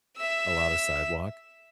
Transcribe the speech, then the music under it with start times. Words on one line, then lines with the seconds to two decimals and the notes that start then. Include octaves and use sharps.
a lot of sidewalk.
0.17 E5 E6